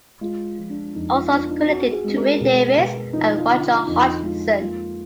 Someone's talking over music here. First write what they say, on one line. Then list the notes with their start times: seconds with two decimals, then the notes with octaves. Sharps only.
All songs credited to Rick Davies and Roger Hodgson.
0.21 G#3 F4
0.58 F3
0.70 D4
0.95 F2 D#4
1.13 F4
1.31 B3 D4
1.49 D#4
1.68 B3 F#4
1.92 G#4
2.04 G#3
2.16 A#4
2.40 B2
2.77 B2
3.13 F3 D#4
3.37 F4
3.50 D3
3.63 D#4
3.87 F2 D#4
4.23 G#3 F4
4.60 A#3 F4